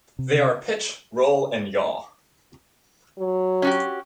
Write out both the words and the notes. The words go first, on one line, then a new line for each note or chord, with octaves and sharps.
They are pitch, roll and yaw.
C3
F#3
C#4 F#4 G4